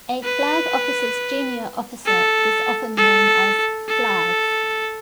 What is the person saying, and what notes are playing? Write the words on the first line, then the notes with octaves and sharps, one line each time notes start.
A flag officer's junior officer is often known as "Flags".
B4
A4
A4
A4